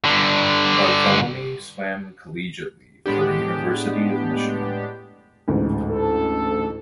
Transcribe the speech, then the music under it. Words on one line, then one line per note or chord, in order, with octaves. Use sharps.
Barthelemy swam collegiately for the University of Michigan.
G2 D3
A2 G#3 B3 D4 G4
A1 D2 G#2
A4